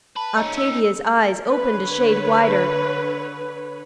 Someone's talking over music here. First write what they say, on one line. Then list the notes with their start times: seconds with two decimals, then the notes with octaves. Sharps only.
Octavia's eyes opened a shade wider.
0.16 B4 A5
0.37 C#4 D#4 A#5
0.58 E6
1.48 D3 B4 C#5